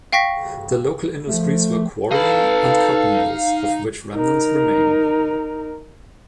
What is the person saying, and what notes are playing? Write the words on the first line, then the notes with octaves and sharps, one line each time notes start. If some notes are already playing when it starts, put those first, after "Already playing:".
The local industries were quarrying and cotton mills, of which remnants remain.
F5 G5 C#6 A#6 B6
F3 A3
D#4 A4 B4 F5 B5
D#4 A#4